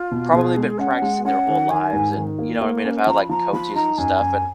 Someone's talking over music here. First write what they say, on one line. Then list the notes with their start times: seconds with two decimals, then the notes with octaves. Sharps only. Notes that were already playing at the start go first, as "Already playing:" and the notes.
probably been practicing their whole lives and, you know what I mean? Have had, like, coaches and stuff, and
Already playing: F4
0.11 B2
0.33 B2 G#4
0.57 G#3
0.79 C#4 F#5
1.02 G#3
1.25 C#4 F#5
1.48 D#3
1.70 D#3 G#5
1.93 G#2
2.16 D#3
2.39 A#3
2.61 A#3
2.84 C#4
3.07 F3 A#5
3.20 B5
3.30 F3 A#5
3.52 F3 B5
3.75 D#4 A#5
3.98 F#2 G#5
4.21 F#2